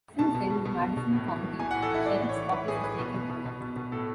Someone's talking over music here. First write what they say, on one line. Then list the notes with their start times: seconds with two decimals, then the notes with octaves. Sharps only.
Since then, the Madison County Sheriff's Office has taken over.
0.19 B2 A5
0.35 B2
0.50 B2
0.65 B2
0.81 B2
0.97 B2
1.12 A2
1.28 E3
1.44 E3
1.59 E3 G#5
1.71 A2 F#5
1.82 A4
1.90 A2 E4
2.05 A2 D5
2.21 E3
2.29 C#5
2.37 E3
2.52 E3 B4
2.68 A2 G#4
2.84 E3 B4
2.99 B2
3.14 B2
3.30 B2
3.46 B2
3.61 B2
3.76 B2
3.92 A2 A4